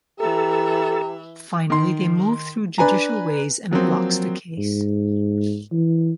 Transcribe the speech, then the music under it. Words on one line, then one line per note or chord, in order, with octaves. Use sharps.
Finally they move through Judicial ways and blocks the case.
E3 G4 A4 E5 A#5
D#3 C6
D4 B4 G#5 A#5
F3 F#3 A#3 C4
G#2
E3